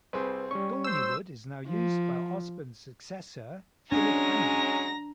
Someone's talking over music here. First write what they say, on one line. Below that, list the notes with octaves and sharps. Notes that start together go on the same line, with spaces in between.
Dorneywood is now used by Osborne's successor, Philip Hammond.
C2 C4 G#4 B4
G3 C#4 C#6
C5 E6
F3
F#3 G#3 C#4 D4 A#5 A#6